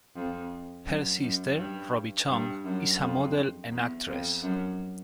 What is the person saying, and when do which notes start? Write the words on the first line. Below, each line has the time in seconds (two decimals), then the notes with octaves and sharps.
Her sister Robbi Chong is a model and actress.
0.15 F2
0.86 F#2
1.22 F#2
1.57 G2
2.29 G2
2.65 F#2
3.00 F2
3.72 E2
4.08 F2
4.42 F#2